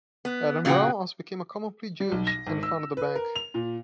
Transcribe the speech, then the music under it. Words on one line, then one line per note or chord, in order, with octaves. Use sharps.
Adam Brown also became a common pleas judge and founded a bank.
B3
A#2 C#3 F#4 G#4 F#5 G5
G3
B1
A#6
G#1
E6
B4
A#4
F7
A#2